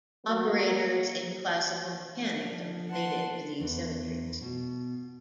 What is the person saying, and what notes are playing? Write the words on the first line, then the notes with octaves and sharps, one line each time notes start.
Operators in classical mechanics are related to these symmetries.
F#3 A#3
F3 A#3 D4
F#5 A5 C6
E2
B2